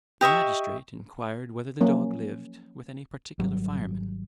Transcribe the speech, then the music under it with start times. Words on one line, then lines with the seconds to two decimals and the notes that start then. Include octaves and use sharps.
The magistrate inquired whether the dog lived with any particular fireman.
0.21 G4 D#5 E5 C#6
1.80 F3 F#3 A#3 C#4
3.39 G#1 F#3 G3